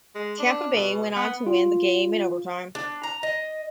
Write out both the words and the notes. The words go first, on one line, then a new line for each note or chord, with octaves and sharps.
Tampa Bay went on to win the game in overtime.
G#3
D4
B2
B3
F4
D4
A#5
D#5